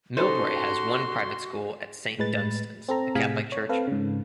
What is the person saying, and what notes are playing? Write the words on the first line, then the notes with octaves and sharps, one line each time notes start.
Millbrae has one private school at Saint Dunstan's, a Catholic church.
C#4 D#4 F#4 A4 B4 C5 C6
A2 G#3 B4 A6
C4 A4 A#5
A2 C3 G#4 F5 G#5 B6
C#5
C4 A4 B4 F5
G#2 C#3